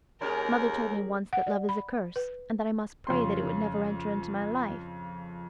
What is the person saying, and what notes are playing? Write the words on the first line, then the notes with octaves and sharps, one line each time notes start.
Mother told me once that love is a curse, and that I must pray that it would never enter into my life.
D#2 C#4 G4 G#4 A#4
F#5
D5
B5
B4
F2 C#3 C6